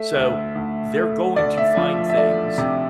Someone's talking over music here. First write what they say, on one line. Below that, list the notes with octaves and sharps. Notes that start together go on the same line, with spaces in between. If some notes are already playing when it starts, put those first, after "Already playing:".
So they're going to find things,
Already playing: A3 E5
D2
D2
A3
D2 D5
E5
F3
E5
A3 D5
C3